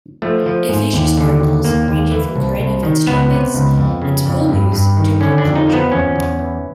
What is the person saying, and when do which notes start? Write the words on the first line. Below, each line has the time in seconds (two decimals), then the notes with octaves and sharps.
It features articles ranging from current events topics and school news to pop culture.
0.22 F3 A3
0.46 F3
0.69 G#2
0.93 D#2
1.17 D3
1.41 D#2
1.64 D#2 A#3
1.88 D#2
2.11 E3
2.36 C2
2.60 C2
2.83 D#3
3.07 C#2 B3
3.31 C3
3.54 C#2
3.78 F2
4.02 C#3
4.26 F2
4.49 G2
4.72 G2
4.97 D#3
5.20 D3 C#4
5.38 D4
5.44 F2
5.55 D#4
5.67 F3
5.73 B3
5.92 E2 C#4
6.16 E2
6.39 E3